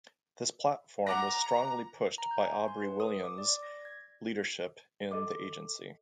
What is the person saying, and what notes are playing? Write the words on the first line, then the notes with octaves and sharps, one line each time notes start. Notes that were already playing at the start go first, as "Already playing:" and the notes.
This platform was strongly pushed by Aubrey William's leadership in the agency.
F#5 A#5 D6 A#6
A#5
G6
G#5
C6
B4
D#6
D6
D5
D5
A#6
G#6
A4 D#5 D6